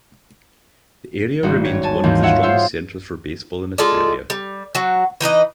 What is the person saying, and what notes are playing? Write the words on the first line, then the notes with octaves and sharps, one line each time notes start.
The area remains one of the strongest centres for Baseball in Australia.
G#1 G3 F#4
C#5
G#5 A5
D#2 G#2 E3 C4
F4 C#5 E5 F#5
F4 G#4 C5 E5
G#3 F4 A4 D5
G3
F#3 F#4
E3 D#4 B4 D#5